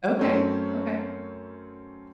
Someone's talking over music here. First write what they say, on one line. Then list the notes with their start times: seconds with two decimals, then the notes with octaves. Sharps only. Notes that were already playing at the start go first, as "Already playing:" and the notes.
Okay, okay.
0.19 F#2 A3 C4 C#4 C#5